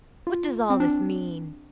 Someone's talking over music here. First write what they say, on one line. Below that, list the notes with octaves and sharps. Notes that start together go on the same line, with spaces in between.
"What does all this mean?"
F4
C4
D4